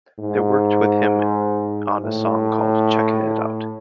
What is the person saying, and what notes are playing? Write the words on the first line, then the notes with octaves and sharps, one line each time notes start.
They worked with him on a song called "Checkin' It Out".
G#2
A2